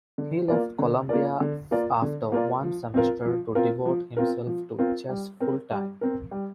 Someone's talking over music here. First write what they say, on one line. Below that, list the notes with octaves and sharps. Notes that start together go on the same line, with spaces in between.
He left Columbia after one semester to devote himself to chess full-time.
D3
A#3 F4 A#4 D5
D3
A#3 F4 A#4 D5
D3
A#3 F4 A#4 D5
D3
A#3 F4 A#4 D5
F3
C4 F4 A#4
F3
C4 F4 A#4
F3
C4 F4 A#4
F3
C4 F4 A#4
G3
C4 A#4
G3
C4 A#4
G3